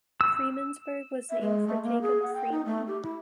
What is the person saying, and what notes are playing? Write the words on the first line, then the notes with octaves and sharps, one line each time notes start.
Freemansburg was named for Jacob Freeman.
E6
E5
G#3
A3
A#3
G#4
F#5
G5
D#4
A3
G4
E4